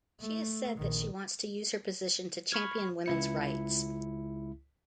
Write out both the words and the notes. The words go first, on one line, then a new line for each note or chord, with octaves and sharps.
She has said that she wants to use her position to champion women's rights.
A3
A#1 D#3
B5 C#6 F6 G#6
C#2 E4 C#7